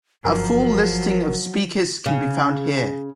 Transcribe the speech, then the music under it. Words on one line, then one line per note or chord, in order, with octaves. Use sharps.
A full listing of speakers can be found here.
G1 F3 F#3 A#4
C#3